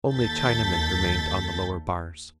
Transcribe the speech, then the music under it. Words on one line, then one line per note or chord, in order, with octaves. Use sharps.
Only Chinamen remained on the lower bars.
D#2 A4 G6 A6 B6